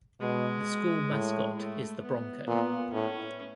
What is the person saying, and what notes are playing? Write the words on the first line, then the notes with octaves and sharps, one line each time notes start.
The School Mascot is the Bronco.
B2 G#3
A2
A3
B3
A#2 B3
A2 C#4